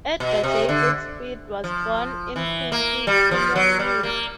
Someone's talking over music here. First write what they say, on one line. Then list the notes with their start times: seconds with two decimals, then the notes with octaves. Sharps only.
Edgar J. Goodspeed was born in Quincy, Illinois.
0.20 B2
0.43 C3
0.69 D3
1.64 F3
2.36 E3
2.72 A#3
3.07 G3
3.31 F3
3.55 F#3
3.79 G3
4.03 A#3